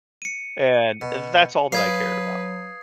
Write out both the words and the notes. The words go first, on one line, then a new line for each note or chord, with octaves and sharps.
And that's all that I cared about.
C#7 D#7
B2
F#3 G#4 B4 F5 D#6 G#6 C7